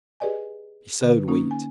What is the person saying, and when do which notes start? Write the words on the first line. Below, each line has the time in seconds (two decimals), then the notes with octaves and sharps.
He sowed wheat.
0.20 G4 G#4 B4 D5 D#5 G#5
1.01 D3 B4
1.28 A#3 C#4 D#4
1.51 G#5